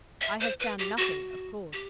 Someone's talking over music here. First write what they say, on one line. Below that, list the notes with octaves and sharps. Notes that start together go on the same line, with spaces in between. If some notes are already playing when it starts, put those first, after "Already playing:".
I have found nothing, of course.
E5
C5
B4
G4
F#4
G4